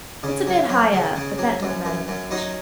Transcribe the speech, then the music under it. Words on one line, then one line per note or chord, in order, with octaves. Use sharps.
It's a bit high up, but that don't matter much.'
C#3
F#3
F#3
C#3
C#3
F#3
F#2
F#2
F#2
F#3 D#4